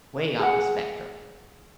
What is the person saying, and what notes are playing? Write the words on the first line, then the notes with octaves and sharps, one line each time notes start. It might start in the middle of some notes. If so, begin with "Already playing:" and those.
way off the spectrum.
G#4 F#5